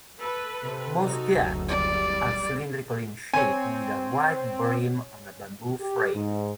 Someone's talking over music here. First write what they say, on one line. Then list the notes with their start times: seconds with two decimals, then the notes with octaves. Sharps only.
Most "gat" are cylindrical in shape with a wide brim on a bamboo frame.
0.19 A4 B4
0.65 C3
0.99 D#4 F#4 A4
1.32 F#1 D2
1.69 G3 D5
3.34 C4 C#5 G#5
5.80 G4
6.15 G#2